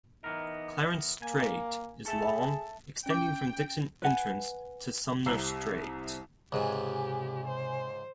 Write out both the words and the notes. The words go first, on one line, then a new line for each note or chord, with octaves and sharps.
Clarence Strait is long, extending from Dixon Entrance to Sumner Strait.
E3 B3 D#4 A#4
A#3 G#5
G#4 A4 E5 A5
C#4 G5 D6
B4 F#5 G#5
C2 C3 A#5 E6 C7
C#2 G#2 C3 G4 G#5
C5